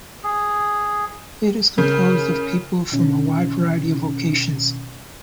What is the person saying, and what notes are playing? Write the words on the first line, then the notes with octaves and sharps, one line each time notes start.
It is composed of people from a wide variety of vocations.
G#4
C#3 A#4 G6
B2 D#3 C#4